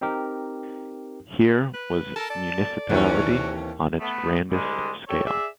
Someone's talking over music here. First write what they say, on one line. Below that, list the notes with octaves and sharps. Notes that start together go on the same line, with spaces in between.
Here was municipality on its grandest scale.
C4 D#4 G4 A#4
B4
A4 A#4 A5
D5 A5
D#2 C3 E3 A3 C#4 F#4
A3 B3
C2 D3 G3 G#3
G4 A4 C#5
G#4 D5 E5